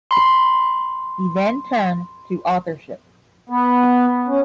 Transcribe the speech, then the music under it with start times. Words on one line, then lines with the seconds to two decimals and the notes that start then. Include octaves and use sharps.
He then turned to authorship.
0.11 B5 C6
3.49 B3
4.28 C#4